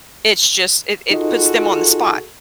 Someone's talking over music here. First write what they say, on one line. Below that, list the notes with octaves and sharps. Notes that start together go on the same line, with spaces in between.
it's just it it puts them on the spot.
D#4 F4 F#4 G#4 A4 D#5